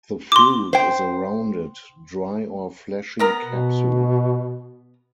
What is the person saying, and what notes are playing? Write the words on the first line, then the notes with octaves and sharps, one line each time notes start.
The fruit is a rounded, dry or fleshy capsule.
C6 D6
C5 G5
B3 A#4 A#5
B2